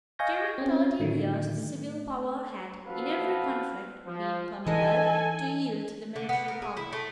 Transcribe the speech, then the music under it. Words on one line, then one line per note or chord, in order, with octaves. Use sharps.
During thirteen years the civil power had, in every conflict, been compelled to yield to the military power.
D#5 F5 G#5 C#6 G6 A#6
C4 C#4
A2 D3 D#3 F#3
A3
A1 F3 F#4 A4 B4 F5
F3
E3 G#3 D#4 A4 G#5
D3
B3
A#4
G#4
E4
A3